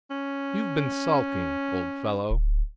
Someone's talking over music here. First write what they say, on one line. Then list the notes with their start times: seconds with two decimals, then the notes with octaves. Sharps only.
You've been sulking, old fellow.
0.10 C#4
2.30 D1